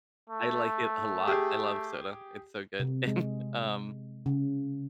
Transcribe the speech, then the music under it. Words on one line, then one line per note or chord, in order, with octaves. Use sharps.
I like it a lot. I love soda. It's so good. And, um,
A3
G4 G#4
C3
G#3
C#3